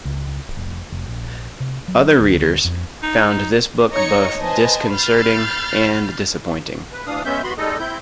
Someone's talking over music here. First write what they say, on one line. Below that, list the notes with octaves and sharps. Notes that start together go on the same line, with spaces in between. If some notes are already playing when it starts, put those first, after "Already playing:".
Other readers found this book both disconcerting and disappointing.
C#2
F1
F1
A#1
C3
F#3
D2
F2
D#4
D#4 C#5 D#5 C#7
B4 C5 D#5 G#5 A5
B5 F6 G6 A6 C7
B4
D2 E3 D4 F5 D#6
G#3 B3 C#4 E5 G6
D#2 B3 F#4 B5 C6
G3 G#3 D#4 A4 D#5
C4 E4 G6